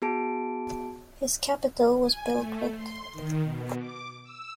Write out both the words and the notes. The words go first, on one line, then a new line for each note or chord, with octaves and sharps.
His capital was Belgrade.
B3 F#4 G#4 A5 D7
G#5
A3
C6
D#3
B2
D6
E6